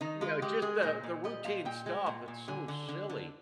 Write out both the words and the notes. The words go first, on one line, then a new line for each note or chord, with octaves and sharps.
you know, just the the routine stuff, it's so silly.
D#3 D#4
G#3 F4
G#3 G4
G#3 G#4
A#2 A#4
A#2
G3 D#5
A#2 F5
A#2 G5
G#3
A#2
A#2
D3 G#5
D3
D3
D3